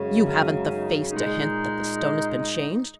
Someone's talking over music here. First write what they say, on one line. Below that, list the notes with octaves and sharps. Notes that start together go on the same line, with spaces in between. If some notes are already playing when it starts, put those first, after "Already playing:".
"You haven't the face to hint that the stone has been changed?"
Already playing: F#2 C#3 G#3
A#4
D#4
A#2 G#3 D#4